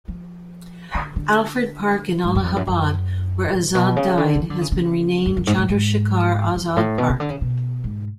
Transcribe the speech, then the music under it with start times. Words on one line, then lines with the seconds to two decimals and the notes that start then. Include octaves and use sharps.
Alfred Park in Allahabad, where Azad died, has been renamed Chandrashekhar Azad Park.
0.08 F3
0.95 D3
1.16 D3
2.24 G#2
2.35 F#2
2.45 F2
2.56 F#2
2.67 F#2
3.53 A2
3.75 B2
3.96 C#3
4.18 D3
4.35 F#3
4.40 F3
4.50 D3
4.61 C#3
4.72 C#3
5.26 F#2
5.37 F#2
5.47 G#2
5.58 G#2
5.69 G#2
6.55 F#2
6.77 A2
6.98 B2
7.09 C#3
7.20 D3
7.30 C#3
7.41 B2
7.84 G#2